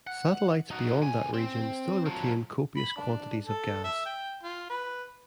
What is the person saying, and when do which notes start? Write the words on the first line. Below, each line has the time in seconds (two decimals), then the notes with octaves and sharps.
Satellites beyond that region still retain copious quantities of gas.
0.07 F#5
0.71 D#4 F#4
1.02 C2 G#5
1.34 C4
2.06 F3 F#3
2.76 B5
2.96 D4
3.44 A4
3.84 E5
4.06 G5
4.43 F4
4.70 B4